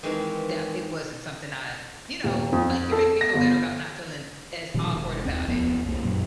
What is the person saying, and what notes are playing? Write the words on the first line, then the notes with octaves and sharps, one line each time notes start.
that it wasn't something I you know, like, you're making me feel better about not feeling as awkward about it.
D#3 E3 G#3 C4 F5 A#5
D#1
F2
A4
A#6
G1
A#2 D#3 F3 G3
E1
D#2 C4
D1 F2 B3
C2 A#3
F#2 A#2 F#3